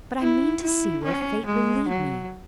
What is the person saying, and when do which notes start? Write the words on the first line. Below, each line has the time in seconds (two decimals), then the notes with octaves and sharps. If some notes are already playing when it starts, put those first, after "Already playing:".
But I mean to see where fate will lead me.'
0.20 E4
0.62 E4
1.04 C#4
1.46 G#3
1.89 F#3